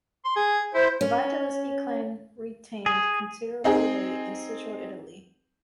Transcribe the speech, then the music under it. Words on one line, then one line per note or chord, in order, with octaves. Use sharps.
The Vitelleschi clan retained considerable weight in Central Italy.
C6
G#4
E4 C5
C#4
G#4
C4 D#4 G#4